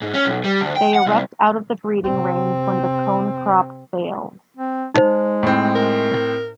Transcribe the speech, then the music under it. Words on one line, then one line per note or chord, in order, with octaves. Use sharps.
They erupt out of the breeding range when the cone crop fails.
G#2
C#4
B1
G3
D2
G5
F#5
C2
C3 C4
C4
G#3 D#4 C5
A2 C4
A#4